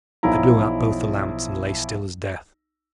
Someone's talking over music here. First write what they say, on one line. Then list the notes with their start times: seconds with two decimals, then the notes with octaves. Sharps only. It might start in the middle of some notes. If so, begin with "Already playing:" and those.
They blew out both the lamps and lay still as death.
0.23 B1 F3 E4 A#5